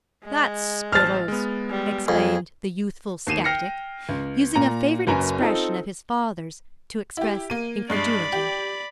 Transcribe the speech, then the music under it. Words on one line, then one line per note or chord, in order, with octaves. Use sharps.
'That's skittles!' exclaimed the youthful sceptic, using a favourite expression of his father's to express incredulity.
G#3
A1 C5 A5 F6 A6
G#3 B3
G3
F2 G#4
D#2 C7 D#7 E7
G5 F6 A#6 C7 C#7
C#2
A#2 A#5
F#1 F#2 B4 G#5 A#5
C4 D#4 F4 A4
E4 G4
A#3 D#7
G2 G#3 D5 B5 C7
G4